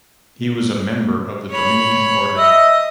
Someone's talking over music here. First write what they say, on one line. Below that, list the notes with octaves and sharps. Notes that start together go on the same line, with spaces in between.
He was a member of the Dominican Order.
C#5 B5
D#5 E5